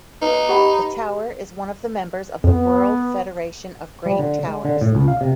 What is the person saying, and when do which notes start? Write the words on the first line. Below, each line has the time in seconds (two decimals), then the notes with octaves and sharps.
The tower is one of the members of the World Federation of Great Towers.
0.22 D#4 B4
0.49 G4 F#5 B5
2.44 F2 B3
4.06 G3
4.19 D3
4.47 G#3
4.65 D3
4.81 A2
4.95 C#2
5.08 F5
5.21 C3